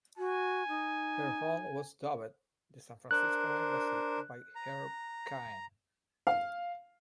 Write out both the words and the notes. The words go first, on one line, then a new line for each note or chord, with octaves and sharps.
Her home was dubbed the "San Francisco Embassy" by Herb Caen.
F#4 G#5
D#4
D4 A#4 C5 F#6
A#5
F5